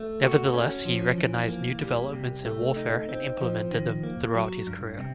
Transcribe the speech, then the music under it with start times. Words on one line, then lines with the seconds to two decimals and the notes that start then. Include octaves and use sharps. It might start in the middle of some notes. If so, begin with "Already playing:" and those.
Nevertheless, he recognized new developments in warfare and implemented them throughout his career.
Already playing: A3
0.23 F#4
0.54 C#4
0.85 F3
1.18 E3
1.49 A#3
1.81 G3
2.13 C3
2.45 A3
2.76 D#4
3.09 C4
3.41 F3
3.72 D#3
4.03 A#3
4.35 F#3
4.67 G2
4.99 C3